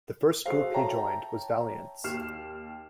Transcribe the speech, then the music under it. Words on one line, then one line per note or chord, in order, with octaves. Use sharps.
The first group he joined was Valiants.
F#4 G#4 A4 C5 F5
C#5 E5 G5 A5 A#5
D#2 G4 F6 C7 E7